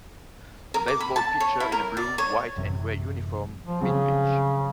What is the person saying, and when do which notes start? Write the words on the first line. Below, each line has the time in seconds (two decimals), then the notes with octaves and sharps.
A baseball pitcher in a blue, white and gray uniform midpitch.
0.74 A#4
0.88 D6
1.00 B5
1.16 A5
1.40 C#5
1.60 E4
1.72 A#4
1.97 D5
2.18 C#5
2.56 A1 F#2 C3
3.67 F3
3.81 C#3 F3 F#3 C4